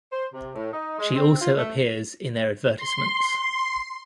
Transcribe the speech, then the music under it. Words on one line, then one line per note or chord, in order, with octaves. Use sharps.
She also appears in their advertisements.
C5
C3
A2
D#4
G#3
C4
F4
A3
C6